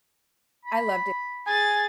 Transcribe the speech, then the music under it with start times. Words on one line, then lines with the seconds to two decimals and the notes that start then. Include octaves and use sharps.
I loved it
0.65 B5
1.47 G#4 G#5 A6